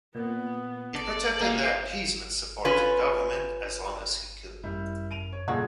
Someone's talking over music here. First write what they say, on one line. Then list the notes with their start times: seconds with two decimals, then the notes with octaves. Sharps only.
He protected the appeasement-supporting government as long as he could.
0.15 A#2 B3
0.95 D5 A5
1.40 A#3 D#4 G#4 F5
2.65 C#4 F4 B4
4.64 F#2 G3 E4
5.11 D7 D#7 F7
5.32 C#5
5.48 D#1 A#2 C#3 G#3 A3 F#4 G#6